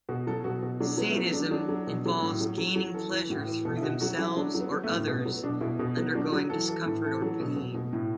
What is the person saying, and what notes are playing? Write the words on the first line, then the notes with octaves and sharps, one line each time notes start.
Sadism involves gaining pleasure through themselves or others undergoing discomfort or pain.
B2 F#4
F#3 A4
B2 F#4
B2 F#4
F#3 D4
F#3 B3
A3
F#3 B3
F#3 D4
F#3 D4
F#3
B2
F#3
A2
F#3
F#3
F#3
E3 A4
E3
A2 F#4
E3
B2 A4
E4
B2 F#4
F#3 F#4
F#3 E4
F#3 D4
F#3
B3
F#3
A3
A2
B2 B3
F#3 B3
B2 D4
B2 E4
B2
F#3 B3
F#3 D4
F#3 F#4
E3 A4
E3 A4
A2 A4
E3 A4
F#3
B2
B2
B2
A2